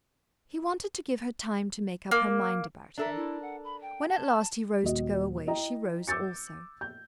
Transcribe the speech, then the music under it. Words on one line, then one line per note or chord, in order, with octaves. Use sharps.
He wanted to give her time to make up her mind about him. When at last he rose to go away, she rose also.
A#3
D4 A4 A#4 E5
E4
F#5
B5
G5
A5
D#1 F#4 D#5
E4 D#5 G5 A#5
D6 E6 G6 A6 C#7
G6